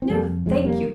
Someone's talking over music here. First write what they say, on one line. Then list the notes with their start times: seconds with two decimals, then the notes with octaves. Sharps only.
'No, thank you.
0.02 C4
0.10 F2 C3 G3 A#3
0.46 F2 C3 F3 G#3
0.65 G3 A#3